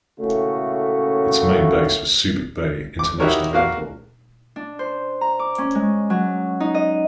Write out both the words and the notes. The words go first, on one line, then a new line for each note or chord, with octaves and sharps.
Its main base was Subic Bay International Airport.
A2 C#3 A3 A#3 C#4 F#4
D6
D#4 E4 F#4 G4 A#4 C#5
A#3 F#4 F5
D4
C5
A#5
D6
C#4
G#3
F#3
D#4
D#5